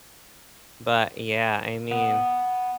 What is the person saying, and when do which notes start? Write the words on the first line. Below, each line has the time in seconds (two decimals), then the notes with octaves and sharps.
but yeah, I mean,
1.91 B3